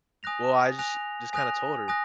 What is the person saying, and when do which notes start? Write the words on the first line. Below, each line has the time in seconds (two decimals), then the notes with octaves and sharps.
Well, I just just kinda told her
0.23 G#5 D#6 F#6 A#6 F7
0.78 G#5 D#6 F#6 A#6 F7
1.33 G#5 D#6 F#6 A#6 F7
1.88 G#5 D#6 F#6 A#6